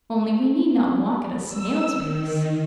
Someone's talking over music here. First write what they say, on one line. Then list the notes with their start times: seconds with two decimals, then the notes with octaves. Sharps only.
Only we need not walk at a snail's' pace.'
1.46 E6
1.93 D#3